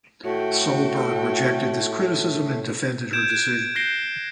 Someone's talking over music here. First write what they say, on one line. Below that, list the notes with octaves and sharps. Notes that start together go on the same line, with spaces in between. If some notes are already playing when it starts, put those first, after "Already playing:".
Solberg rejected this criticism and defended her decision.
A2 A3 F#4 G5
G6 G#6 D7 E7
F#6 G#6 D7
F#6 G6 A#6 C7 D7 G7